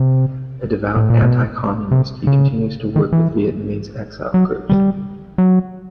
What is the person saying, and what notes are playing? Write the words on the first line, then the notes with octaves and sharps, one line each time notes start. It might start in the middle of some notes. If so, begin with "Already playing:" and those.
A devout Anti-Communist, he continues to work with Vietnamese exile groups.
Already playing: C3
A2
A#2
B2
C3
C#3
D#3
E3
F#3
G3
F#3